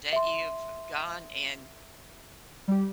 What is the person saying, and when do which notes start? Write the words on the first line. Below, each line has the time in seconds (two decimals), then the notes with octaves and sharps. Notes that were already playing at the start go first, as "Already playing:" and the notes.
that you've gone and,
0.13 E5 C6
2.68 G3 G4